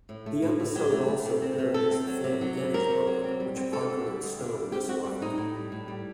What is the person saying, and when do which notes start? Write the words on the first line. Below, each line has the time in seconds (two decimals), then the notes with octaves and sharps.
The episode also parodies the film "Gettysburg" which Parker and Stone disliked.
0.09 A2
0.26 A3
0.42 A2
0.60 A2
0.76 F#3 G4
0.92 A3
1.08 A3
1.25 C3
1.42 C4
1.58 C3
1.74 C4 A4
1.91 C4
2.07 F#3
2.24 C3
2.41 F#3
2.57 C3
2.74 C4 A#4
2.91 C3
3.07 F#3
3.24 C4
3.40 G3
3.56 C4
3.73 D3 A4
3.90 D3
4.07 G3
4.22 D2
4.39 D3
4.55 G3
4.72 C4 G4
4.88 C4 F#4
5.05 G3
5.21 A2 D#4
5.38 A2
5.55 G3
5.72 A2
5.88 G3